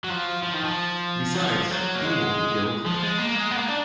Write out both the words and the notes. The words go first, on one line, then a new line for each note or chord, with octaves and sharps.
Besides he won't be killed.
F#3
F3
F3
D#3
F3
F#3
F3
F#3
A#3
G#3
F3
G#3
A#3
G#3
B3
A#3
D4